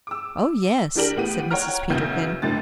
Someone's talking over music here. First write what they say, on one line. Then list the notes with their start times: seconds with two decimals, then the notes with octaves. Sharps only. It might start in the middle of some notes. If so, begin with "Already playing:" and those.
"Oh, yes," said Mrs. Peterkin.
0.07 D6 E6
0.95 E3 D4 G4 A#4 F#7
1.16 A2 B3 G4 D#7
1.51 C#5 F#5 G5 A#5 F6
1.90 B1 F#2 C#3 B3 E4 G6
2.42 G#1 F#2 A2 D3 A6